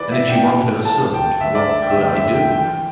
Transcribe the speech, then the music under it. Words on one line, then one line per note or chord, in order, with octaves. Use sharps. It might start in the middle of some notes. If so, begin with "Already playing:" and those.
And if she wanted her servant, what could I do?
Already playing: E2 E3 B4 D5
E5
G2 E3 G5
G2 E3 A5
G5
D2 D3 E5
D5
E5
G5
E5
D2 D3 G5
E5
G5
E2 E3 G5